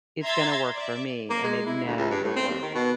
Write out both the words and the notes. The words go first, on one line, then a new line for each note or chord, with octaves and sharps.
It's gonna work for me, and it never works.
E5 A#5 C6 E6 G#6 A6
D5 E5
A#3
G#3
E4
D2
C#2
G2
A2
C4
D#2
D#3
B2